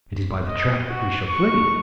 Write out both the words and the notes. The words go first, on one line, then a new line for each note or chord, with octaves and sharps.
It is by the trap that we shall flee.
D#5
F#4
C#6